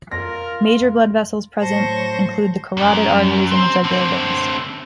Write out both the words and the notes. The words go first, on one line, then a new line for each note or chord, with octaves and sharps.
Major blood vessels present include the carotid arteries and the jugular veins.
F2 F4 A#4 A#6
A2 F#3 C5 A5 C#6 A#6
F#2
C4
D3 C4